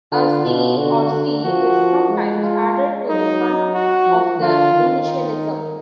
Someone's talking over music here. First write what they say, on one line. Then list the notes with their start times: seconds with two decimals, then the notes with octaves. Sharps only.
A "c" or "C" is sometimes added to the front of the initialism.
0.12 D3 F4
0.45 B2
0.78 D3 F#4
1.12 D3
1.44 F3 F#4
2.10 G#3
2.43 F4
3.09 F#3 D#4
3.75 F#4
4.07 F3
4.40 D3 F4
4.73 D#3
5.06 D#4